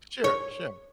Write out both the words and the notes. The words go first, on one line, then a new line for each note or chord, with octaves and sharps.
Sure, sure.
C#5